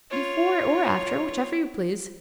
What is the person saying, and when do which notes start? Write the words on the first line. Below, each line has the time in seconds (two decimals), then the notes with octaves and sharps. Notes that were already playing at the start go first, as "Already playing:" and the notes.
"Before or after, whichever you please."
0.11 F4 C#5